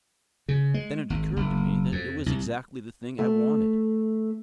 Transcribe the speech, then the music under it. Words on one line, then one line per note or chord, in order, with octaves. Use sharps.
Then it occurred to me that it was exactly the thing I wanted.
C#3
G#3
G#1
F#1
F2
C2
A3